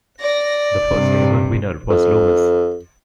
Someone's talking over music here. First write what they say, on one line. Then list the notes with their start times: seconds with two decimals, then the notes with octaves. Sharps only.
The first ever winner was Lomas.
0.20 D5 A#6
0.92 G2 C3
1.90 F2